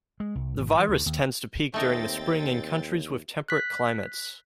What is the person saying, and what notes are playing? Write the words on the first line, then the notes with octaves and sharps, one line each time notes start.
The virus tends to peak during the spring in countries with temperate climates.
G#3
C2
G#1
E3
D2
D#2
D#2 A3 C4 D#4 A#4 G5 A6
F#6 B6